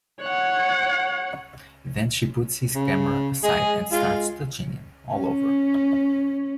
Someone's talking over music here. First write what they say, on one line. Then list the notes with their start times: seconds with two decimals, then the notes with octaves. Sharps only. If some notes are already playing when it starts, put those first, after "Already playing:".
Then she puts his camera aside and starts touching him all over.
0.21 C#5 F#5
2.75 C#3
3.44 G#3 G#4
3.92 G#3 F4
5.14 C#4